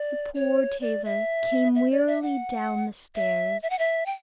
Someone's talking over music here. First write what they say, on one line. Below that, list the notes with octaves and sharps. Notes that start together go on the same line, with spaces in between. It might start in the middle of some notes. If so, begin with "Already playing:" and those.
The poor tailor came wearily down the stairs.
Already playing: D5
C#5
D5
E5
E5
D5
E5
F#5
E5
E5
F#5
E5
G5